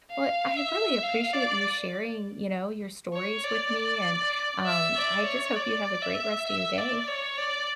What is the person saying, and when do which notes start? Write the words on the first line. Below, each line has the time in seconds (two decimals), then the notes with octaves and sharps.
Well, I really appreciate you sharing, you know, your stories with me, and, um, I just hope you have a great rest of your day.
0.12 F5
0.56 E5
1.02 F5
1.33 D5
3.14 C#5
3.44 D5
4.66 E5
4.96 D5
5.25 C#5
5.56 D5
6.02 E5
6.48 E5
6.78 D5
7.08 C#5
7.38 D5